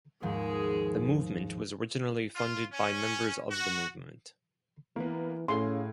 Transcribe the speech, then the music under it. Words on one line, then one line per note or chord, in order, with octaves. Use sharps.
The movement was originally funded by members of the movement.
D#2 G#2 F3 G#3 G#4
F4
C#4
F#4
E3 A#3 B3
A2 C#4 G#4 F5 C6